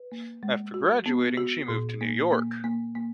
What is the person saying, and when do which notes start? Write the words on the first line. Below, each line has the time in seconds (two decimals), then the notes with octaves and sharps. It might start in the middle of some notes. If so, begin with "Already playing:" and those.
After graduating, she moved to New York.
Already playing: B4
0.12 A#3
0.43 G#3
0.74 F#4
1.06 B3
1.37 F#4
1.68 A#2
2.01 A#3
2.32 A#3
2.64 A#3
2.95 A#3